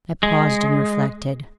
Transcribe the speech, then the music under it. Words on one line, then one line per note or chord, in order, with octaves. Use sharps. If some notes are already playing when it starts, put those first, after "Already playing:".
I paused and reflected.
G#3